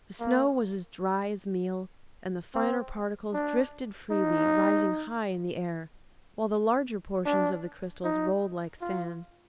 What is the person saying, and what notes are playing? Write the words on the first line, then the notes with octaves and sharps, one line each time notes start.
The snow was as dry as meal, and the finer particles drifted freely, rising high in the air, while the larger portions of the crystals rolled like sand.
A#3
C4
D4
D#4
D4
D#4
F4